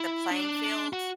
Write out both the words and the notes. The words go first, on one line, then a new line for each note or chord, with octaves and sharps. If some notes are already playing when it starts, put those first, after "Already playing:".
the playing field,
Already playing: E4
D4
F#4